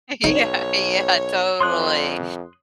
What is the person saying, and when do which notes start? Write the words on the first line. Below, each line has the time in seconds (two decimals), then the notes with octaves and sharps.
Yeah, yeah, totally.
0.24 B1 D#4 C#5
1.61 F2 C6 D#6 F#6